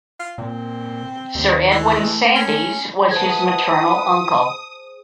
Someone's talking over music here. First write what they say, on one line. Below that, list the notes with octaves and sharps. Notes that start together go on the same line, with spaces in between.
Sir Edwin Sandys was his maternal uncle.
F4
A#2 C4
D#2
E3
A3
C#4
G#4 B4 C5 E5 F#5 A5 D#6 G#6